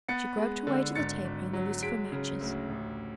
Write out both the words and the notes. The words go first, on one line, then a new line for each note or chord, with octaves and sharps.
She groped her way to the taper and the lucifer matches.
B3 A6 C#7
G#3
D3
G#1 A6 C#7
G#1
F#3
G#3 B6 D7
C#3
D2
A1